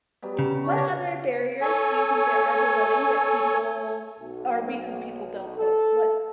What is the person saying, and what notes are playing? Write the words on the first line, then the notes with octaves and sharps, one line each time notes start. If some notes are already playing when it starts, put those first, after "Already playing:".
W what other barriers do you think there are to voting that people or reasons people don't vote? What
F#3 G3 B3
C#3
D4 C#5 C#6
A4 C#5 G#5
B1
A4